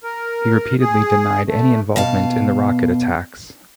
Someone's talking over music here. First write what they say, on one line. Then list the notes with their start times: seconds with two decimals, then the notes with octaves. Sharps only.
He repeatedly denied any involvement in the rocket attacks.
0.03 A#4
0.80 G#4
1.48 A3
1.96 B2 F5 A5